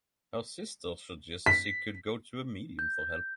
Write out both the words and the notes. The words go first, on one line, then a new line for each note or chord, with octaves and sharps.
Her sisters suggest she could go to a medium for help.
B6
G6